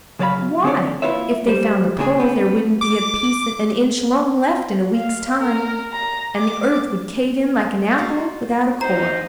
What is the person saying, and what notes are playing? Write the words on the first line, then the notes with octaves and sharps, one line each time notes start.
Why, if they found the Pole, there wouldn't be a piece an inch long left in a week's time, and the earth would cave in like an apple without a core!
C#3 F#3 C5 D5 F5 B5
D3 C4 D4 C#5 D5
A#3 E4 F4 B4 C#5 E5
G3 C5
C#2 A#2 C#3 D4 G#4
B3 C4 D4
D6
F5
A#4
A#5
D6
F4 F#4
D2 A#2 D#4 C5 A#5